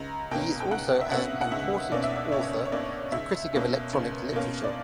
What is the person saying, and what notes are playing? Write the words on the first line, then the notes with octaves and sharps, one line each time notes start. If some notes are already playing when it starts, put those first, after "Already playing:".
He is also an important author and critic of electronic literature.
Already playing: C#2 A#5
B2 A#3 C#4 G5
G5
C#2 F#5
E5
B2 A#3 C#4 F#5
F#5
C#2 E5
B2 A#3 C#4 D5
E5
D5
C#2 C#5
C#5
B2 A#3 C#4 D5
C#2 E5
B2 A#3 C#4
C#2
B2 A#3 C#4
D5